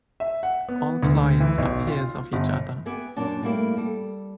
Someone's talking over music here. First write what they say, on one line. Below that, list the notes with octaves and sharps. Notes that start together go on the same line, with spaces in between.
All clients are peers of each other.
E5
F#5
B3
D2
E3
B1
F4
G1
B3 G4 B4 E5 G#5
F#2 A#2 D4 A5
G3 A3 A#3 E4 G4
G3 A4